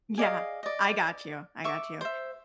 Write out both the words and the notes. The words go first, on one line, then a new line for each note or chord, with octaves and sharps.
Yeah. I got you. I got you.
G#4 D5 D#5 F5
D5 D#5
E5 C#6 D6
C5 E5